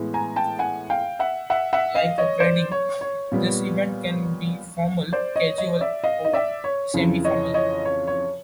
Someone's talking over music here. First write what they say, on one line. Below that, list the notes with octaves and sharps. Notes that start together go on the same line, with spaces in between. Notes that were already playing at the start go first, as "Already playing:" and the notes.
Like a wedding, this event can be formal, casual, or semi-formal.
Already playing: A2 E3 G#3 B3
G#5 A#5
G5 A5
F#5 G#5
F5 G5
E5 F#5
E5 F#5
E5 F#5
D#5 F5
C#5 D#5
C5 D5
C#5
C#5
A#2 G3 B3
C5 D5
C#5 D#5
C#5 D#5
D5 E5
D#5 F5
D#5
D5 E5
C#5
F2 C#3 E3
C#5 D#5
C#5 D#5
C#5
C#5